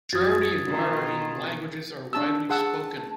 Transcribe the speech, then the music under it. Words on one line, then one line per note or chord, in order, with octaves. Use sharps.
Gujarati and Marathi languages are widely spoken.
F#2 F#4 D#6 G#6 A6
B2 D#3 F4
D4 A5 E6
G#4 F#5 A5 E6